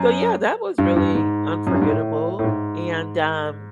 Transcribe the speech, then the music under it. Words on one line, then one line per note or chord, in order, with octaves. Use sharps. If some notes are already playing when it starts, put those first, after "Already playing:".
so yeah, that was really unforgettable, and, um,
Already playing: F#2
G2
G2
G#2
F#2
G2
G#2
A2
A2
G#2